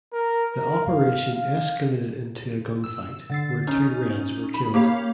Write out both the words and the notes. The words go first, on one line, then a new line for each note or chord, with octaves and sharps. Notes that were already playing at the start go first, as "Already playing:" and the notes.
The operation escalated into a gunfight where two Reds were killed.
A#4
A#4
F5
F5
E6
D3 A6 C7
C#4 D#4
B5
A#3 G4 C#5 F5